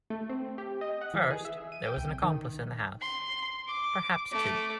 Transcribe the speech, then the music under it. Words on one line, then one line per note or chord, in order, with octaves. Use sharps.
First, there was an accomplice in the house — perhaps two.
A3
C4
G4
D#5
F#5
E3
G#4
E5
D#7
G5
C2
D#3
C6
D6
A3 D6